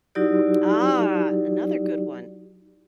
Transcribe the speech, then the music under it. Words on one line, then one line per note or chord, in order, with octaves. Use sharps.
Ah, another good one.
F#3 D#4 E4 F#4 G4 D5